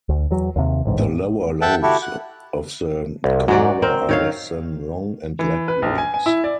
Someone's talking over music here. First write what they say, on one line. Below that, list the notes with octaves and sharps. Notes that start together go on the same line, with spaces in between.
The lower lobes of the corolla are less than long and lack wings.
D2
E2 F#3
D#2 C3
A1 G#2
A4 E5 F#5 G5 A5
E4 F#4 G4 A4
F#5
C2
G#2 F#3 F#4 D5
C4 A#4
D#3 C#5 F5
E3
B4
A#1
G#5
G#5
E4
D5